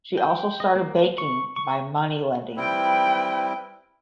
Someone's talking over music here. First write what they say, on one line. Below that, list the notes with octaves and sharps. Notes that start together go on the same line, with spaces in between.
She also started banking by money lending.
G5
D#5
A#3
C#6
C#6
G3 C4 E4 B4 G5